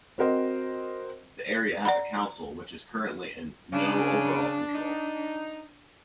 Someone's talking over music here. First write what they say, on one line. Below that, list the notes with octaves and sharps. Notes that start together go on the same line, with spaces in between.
The area has a Council which is currently in 'No Overall Control'.
C4 F#4 A#4 C5 D#5
D5 F#5 A#5 B5
C#3 D4
D#4